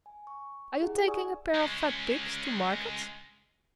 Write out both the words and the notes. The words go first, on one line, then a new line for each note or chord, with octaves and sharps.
"Are you taking a pair of fat pigs to market?"
G#5
C#6
E4 G4 G#4 F#5
D5 G#5 C#6 D#6 E6
G#3 C#4